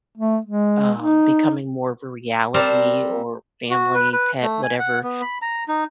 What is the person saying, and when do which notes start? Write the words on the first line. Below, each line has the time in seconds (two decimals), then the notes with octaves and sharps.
um, becoming more of a reality or family, pet, whatever
0.17 A3
0.45 G#3
0.97 D#4
2.54 G3 C4 A#4 C5 D5 A5
3.71 F#4
3.95 B4
4.13 B4
4.42 A3
4.63 G#5
4.80 F#5
5.04 B3
5.22 B5
5.42 A#5
5.68 D#4